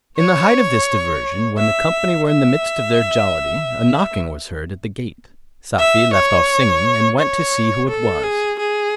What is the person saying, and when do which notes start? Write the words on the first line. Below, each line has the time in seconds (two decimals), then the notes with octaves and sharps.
In the height of this diversion, when the company were in the midst of their jollity, a knocking was heard at the gate; Safie left off singing, and went to see who it was.
0.18 C#5
1.58 E5
2.28 E5
5.79 E5
6.13 C#5
7.19 C#5
7.89 A4
8.23 G#4
8.59 G#4